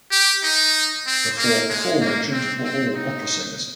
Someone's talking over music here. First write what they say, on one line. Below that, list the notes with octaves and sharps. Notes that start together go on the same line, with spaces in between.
The four aforementioned were all opera singers.
G4
D#4
C4
A#3
G#3
A#3
C4
C4
D#4